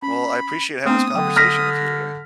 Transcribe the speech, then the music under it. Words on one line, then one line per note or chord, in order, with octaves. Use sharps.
Well, I appreciate having this conversation with you today.
C#4 B5
A3 B3 C4 D4 D#6
D3 F#3 G5
F6 A#6 B6